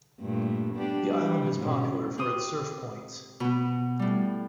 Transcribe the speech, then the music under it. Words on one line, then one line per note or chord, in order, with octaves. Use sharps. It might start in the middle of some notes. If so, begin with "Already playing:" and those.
The island is popular for it's surf points.
G2 A#2 A3
B3 D4 G4
G3 G#3
G#2 B2 C#4
C4 G4 D#6
B2 B3
A2 G3